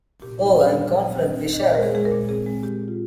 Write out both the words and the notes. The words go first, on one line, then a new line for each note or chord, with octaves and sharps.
Oh, I am confident we shall.
A#2 G4
D#4
G3
A#2
A#2
C4
D#4
D#4
D#5
A#2 C#5
C5
G#3 A#4
G#4
G#3 G#4
A#4
A#2
C4 G#4
G#3
G#3 G4
A#2
F4